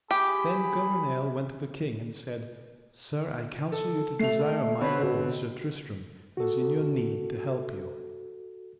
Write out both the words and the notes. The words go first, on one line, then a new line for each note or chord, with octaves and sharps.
Then Gouvernail went to the king and said: Sir, I counsel you to desire my lord, Sir Tristram, as in your need to help you.
G4 G#4 B5
A4
A3 C7 F7
D3 C4 B4 C#5
B2
F#4 A4